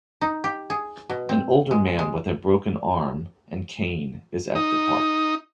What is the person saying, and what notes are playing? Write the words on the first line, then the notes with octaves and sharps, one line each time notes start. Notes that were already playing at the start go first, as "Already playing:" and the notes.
An older man with a broken arm and cane is at the park.
D#4
G4
G#4
B2
C4
G#3
G#3
D#4